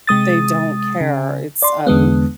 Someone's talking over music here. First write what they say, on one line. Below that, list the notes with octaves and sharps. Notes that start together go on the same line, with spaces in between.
they don't care. It's, um
C3 G#3 D#6 A6
C#3
D5 C6
E2 D3 G#3 B3